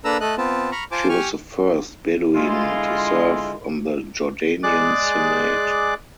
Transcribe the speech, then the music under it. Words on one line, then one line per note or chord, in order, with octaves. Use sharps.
She was the first Bedouin to serve on the Jordanian Senate.
A#3 D4 A4 B4 A#5 E6
A3 A4 D#5 F#6
B3 C4 F4 A5
A#5 B5 C#6 F6
F4 C5 G#5 A5 D6
G4 G#5 C#6 F6
D3 G#3 E4 F4
G#3 G#4 D5 D6 F#6